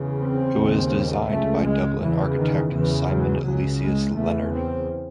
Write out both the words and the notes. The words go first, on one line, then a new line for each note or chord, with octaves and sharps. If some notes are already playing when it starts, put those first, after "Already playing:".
It was designed by Dublin architect Simon Aloysius Leonard.
Already playing: E2 C#3
C4
D#2 C#3
C#2 C#3 A3
G#3
E2 C#3 E3
D#3
E2 C#3 E3
F#3
C#2 C#3 F#3
G#3
E2 C#3 A3
C4